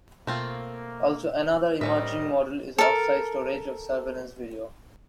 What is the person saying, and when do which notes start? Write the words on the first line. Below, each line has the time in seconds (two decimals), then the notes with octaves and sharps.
Also another emerging model is off-site storage of surveillance video.
0.27 B2 A3 A#3 C4 F4
1.81 A2 G3 C4 C#4 A#4 D#5 E5
2.78 A4 A#4